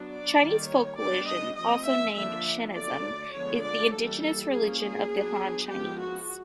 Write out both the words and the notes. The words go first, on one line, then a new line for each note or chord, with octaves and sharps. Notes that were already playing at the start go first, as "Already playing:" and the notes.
Chinese folk religion, also named Shenism, is the indigenous religion of the Han Chinese.
Already playing: F#3 B3 D4
D5
D#3 G3 A#3
C#5
G3 B3 D4 D5
D#5
F3 A3 C4 D#5
E5
D3 F3 A#3 D4 E5
D3 F#3 A3 D5
D3 F3 G#3 B3 D4 C#5
D5
E3 G3 A#3 A4
A4
F3 A#3 C#4 G#4
G#4
F#3 B3 D4
F3 G#3 B3 G4
F#4